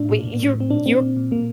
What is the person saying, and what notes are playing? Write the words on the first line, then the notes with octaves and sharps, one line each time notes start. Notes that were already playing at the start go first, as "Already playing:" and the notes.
wait, "You're you're
Already playing: A2 D4
A#2
A#2
A2
A2 C4
A#2 D4
A#2 C4
A#2
A#2
A#2 A#3